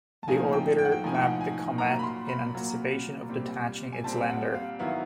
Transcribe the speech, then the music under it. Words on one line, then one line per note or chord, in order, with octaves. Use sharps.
The orbiter mapped the comet in anticipation of detaching its lander.
A5
A2 F3 A#3 D#4 G#5
G5
G5
F#5
G5
A2 F3 A#3 D#4 G#5
G5
F#5
G#5
A#2 F#3 A#3 A#5
B5
C6
B5
A#2 F#3 A#3
A#2 G3 C4
G#5
A#2 G3 C4 A5
F#5
F5
D#3 F#3 B3 E4 F5